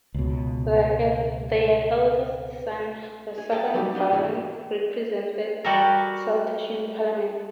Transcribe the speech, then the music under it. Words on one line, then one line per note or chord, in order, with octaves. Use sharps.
Their eldest son, the second Baron, represented Saltash in Parliament.
C#2 B2
G#4
A4 A#4 D#5 G5 A5
F#3 G3 D#4 G4
B3 D4 D#5
G#2 B2 E3 G3 C#4
G3 F#4 G4 A4 A#4